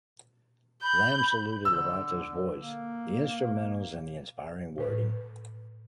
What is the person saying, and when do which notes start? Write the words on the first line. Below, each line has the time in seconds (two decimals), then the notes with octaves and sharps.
Lamb saluted Levato’s voice, the instrumentals and the inspiring wording.
0.82 B5 G6
1.65 D3 E6
2.59 A#3
4.78 A2 B4